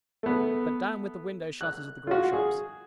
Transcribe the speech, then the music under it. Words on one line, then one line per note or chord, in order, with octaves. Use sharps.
But down with the window-shutters of the grog shops.
A3 B3
F#6
F4 F#4
G#4